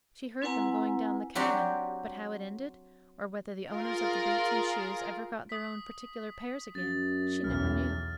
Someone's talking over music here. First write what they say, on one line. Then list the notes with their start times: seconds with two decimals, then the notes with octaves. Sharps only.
She heard them going down the cabin; but how it ended, or whether the owners of the boots and shoes ever got their own particular pairs again, she never knew.
0.42 C4 E4 B4 F#5 G#5 A#5
1.35 F#3 C4 D4 F#4 G4
3.72 F4 G#4 A#4
5.49 D#6 B6
6.75 F#2 A6
7.44 B1 E2 F6